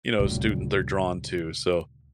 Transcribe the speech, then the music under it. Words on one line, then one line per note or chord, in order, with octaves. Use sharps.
you know, student they're drawn to, so,
D2 A#2 C#3 G3